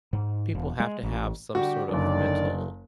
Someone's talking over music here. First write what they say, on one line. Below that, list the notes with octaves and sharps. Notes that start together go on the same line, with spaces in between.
people have to have some sort of mental
G#2
E1
G#3
A1
D3 G3 F#4 G4
F#1 F#2 D3 D#3 D5